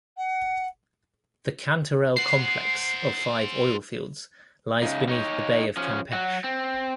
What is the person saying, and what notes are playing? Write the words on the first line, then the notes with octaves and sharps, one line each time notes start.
The Cantarell Complex of five oil fields lies beneath the Bay of Campeche.
F#5
C5 F#5 C7
C#3 D#4
D#4 C#5
F3 C#4
F#3 F#4
C4